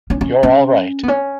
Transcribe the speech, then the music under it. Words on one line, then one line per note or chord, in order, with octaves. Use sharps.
You're all right.
C#4
C#4
C#4
B3
C#4